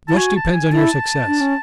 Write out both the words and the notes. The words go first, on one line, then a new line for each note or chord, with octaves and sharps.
Much depends on your success.
E4 A5
F#4 G#5
A5
G#5
E4 A5
D4
C#4